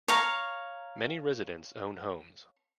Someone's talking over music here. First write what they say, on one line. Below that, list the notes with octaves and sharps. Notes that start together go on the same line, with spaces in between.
Many residents own homes.
C#5 F5 A#5